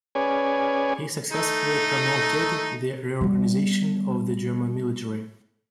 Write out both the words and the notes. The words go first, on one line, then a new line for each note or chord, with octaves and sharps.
He successfully promoted the reorganization of the German military.
C#4 G#4 B4 C#5 D5 G#5
A3 D#4
G3 B3